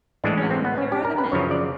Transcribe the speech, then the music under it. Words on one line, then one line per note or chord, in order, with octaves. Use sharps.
"Well, here are the men."
A2 E3 G#3 D4
C#4
C4
B3
C#4
G4
A#4
B4
F#2 C#3 F3 C#5
D5